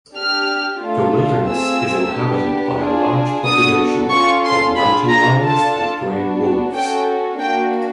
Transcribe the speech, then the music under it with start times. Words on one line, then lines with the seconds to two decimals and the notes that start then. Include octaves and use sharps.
The wilderness is inhabited by a large population of mountain lions and gray wolves.
0.16 D4 G4 F6
0.82 A3 D4 F4 A4
1.47 A3 C4 F4 G#4 E6
2.14 B3 D4 G4
2.79 D4 F4 G#4
3.45 B3 D4 F#4 A4 D#6
4.11 C#4 F4 A4 C#6
4.44 C6
4.77 D4 F4 G#4 B5
5.10 A#5
5.42 D4 F4 A4 A5
6.09 B3 D4 F#4
6.74 C#4 F#4 A4 G5
7.40 A#3 D4 F#4 G5